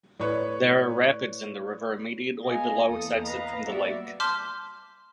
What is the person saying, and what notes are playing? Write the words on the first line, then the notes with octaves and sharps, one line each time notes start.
There are rapids in the river immediately below its exit from the lake.
A2 B4 C#5 D5
B3 G#4 D#5 F5 G#5
E2 A#3 A4 D#6
B4 D#5 F5 A#5
G3 A#3 B3 F#4 D5 E5
A5 C6 D6 F6 G6 B6